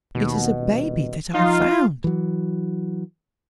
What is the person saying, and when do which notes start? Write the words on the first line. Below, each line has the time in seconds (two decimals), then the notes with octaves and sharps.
"It is a baby that I found."
0.15 D#2 B2
0.60 D#1
1.35 F3 D#4 F4
2.04 E3 F#3